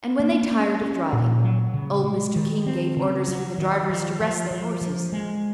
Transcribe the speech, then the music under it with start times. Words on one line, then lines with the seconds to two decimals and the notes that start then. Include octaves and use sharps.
And when they tired of driving, old Mr. King gave orders for the drivers to rest their horses.
0.20 A#3
0.51 C#4
0.81 C#4
1.13 A#2
1.44 F#3
1.74 C#3
2.04 G#3
2.36 D#3
2.66 C4
2.97 C#3
3.28 F#3
3.58 D#3
3.90 F3
4.20 F3
4.51 F3
4.81 F3
5.12 G#3